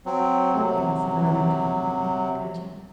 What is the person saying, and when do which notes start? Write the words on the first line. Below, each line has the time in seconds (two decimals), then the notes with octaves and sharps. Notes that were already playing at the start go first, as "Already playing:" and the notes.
Okay, so, Northern California. Gotcha.
0.06 F#3 C4
0.53 C3 F#3